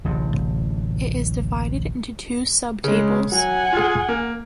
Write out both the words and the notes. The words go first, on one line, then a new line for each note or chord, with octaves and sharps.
It is divided into two sub-tables.
D1 A1 C3
C#3 G#3
F#3 F#5 G#5
F4 G#4
A#3